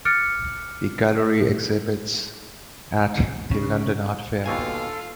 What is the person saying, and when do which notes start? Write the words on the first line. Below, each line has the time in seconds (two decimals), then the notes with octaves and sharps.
The gallery exhibits at the London Art Fair.
0.05 D6 F6 F#6 A6 C#7 D7
3.51 C#3
4.46 D#2 B2 F4 A4 G#5